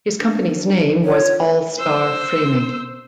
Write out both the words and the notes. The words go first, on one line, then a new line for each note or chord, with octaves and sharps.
His company's name was All Star Framing.
D4
F4 C#5
C5 E6